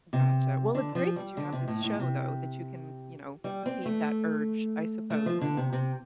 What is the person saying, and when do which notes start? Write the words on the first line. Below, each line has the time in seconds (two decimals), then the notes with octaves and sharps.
Gotcha. Well, it's great that you have this show, though, that you can, you know, feed that urge, I suppose,
0.13 C3
0.75 D3
0.95 F3
1.16 G3
1.37 D3
1.53 C3
1.68 A2
1.84 A2
1.99 C3
3.44 G3
3.66 C4
3.86 A3
5.10 A3
5.26 F3
5.41 D3
5.57 C3
5.73 C3